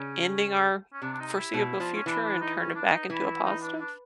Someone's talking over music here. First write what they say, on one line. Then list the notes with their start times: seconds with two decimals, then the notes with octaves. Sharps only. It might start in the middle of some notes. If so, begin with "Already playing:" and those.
ending our foreseeable future and turn it back into a positive?
Already playing: C#3 C#4
0.93 C#4
1.02 C3 D4
1.13 D4
1.20 D#4
1.37 E4
1.54 B2
1.80 F3
1.94 C#4
2.06 E3 D4
2.24 D4
2.41 D#4
2.58 C#4
2.75 D4
2.92 D#4
3.10 E3 E4
3.27 E4
3.44 D#4
3.62 D4
3.80 D4